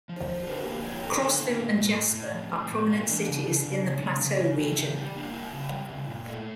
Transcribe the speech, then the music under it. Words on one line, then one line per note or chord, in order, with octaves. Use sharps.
Crossville and Jasper are prominent cities in the Plateau region.
F3
F3
D3 A#4
A#3
F3 C#5
D3 A#4
D3 A4
A#3 E4
A2
A2
A2
A2
F3
A2
A2
A#3
E3 D4
C#3
C#3
C#3
C#3
C#3
C#3
C#3
C#3 E4
C#3 G4
G3 G4
A#3 D4
G3 E4
C#3
G3
C#3
A#2
A3